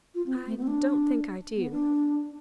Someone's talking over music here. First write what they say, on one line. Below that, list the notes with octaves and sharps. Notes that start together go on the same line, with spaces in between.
'I don't think I do.
F4
C4
A3
B3
C4
D4
B3
D4